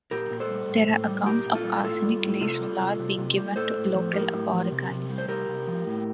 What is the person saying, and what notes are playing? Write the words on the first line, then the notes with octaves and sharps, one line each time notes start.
There are accounts of arsenic laced flour being given to local aborigines.
A#2 G4 A#4
A#2
A4 C5
G3
A2
A2
G3
A#2 G4 A#4
A#2
F4 A4
G3
A2 F4 A4
G3
A2
C3 F4 A4
G3
C3
C3
C3
G3
A2 A4 C5
A2
F3
A2 G4 A#4
A2
F3
C3
C3
G3
C5
C3 G4 A#4
C3
F3
A2